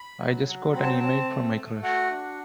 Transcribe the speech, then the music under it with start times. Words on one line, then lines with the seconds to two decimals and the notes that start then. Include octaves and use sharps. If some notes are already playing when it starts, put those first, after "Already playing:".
I just got an e-mail from my crush!
Already playing: B5
0.20 F#3
0.47 F#3
0.74 C4 B5
0.83 A5
0.91 G5
0.99 C4 A5
1.29 A3
1.56 A3
1.83 F#4 F#5
2.11 D4